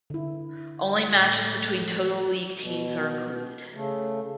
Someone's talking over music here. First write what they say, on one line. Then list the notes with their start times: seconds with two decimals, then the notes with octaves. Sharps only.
Only matches between Total League teams are included.
0.10 D3 E4
1.12 A2
1.82 F3
2.57 B2
3.72 C#3 A3